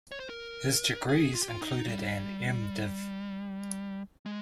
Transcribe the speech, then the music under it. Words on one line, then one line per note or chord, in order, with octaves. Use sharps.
His degrees included an M. Div.
C#5
C5
A#4
G#4
F4
G4
F4
D#4
G3
G#3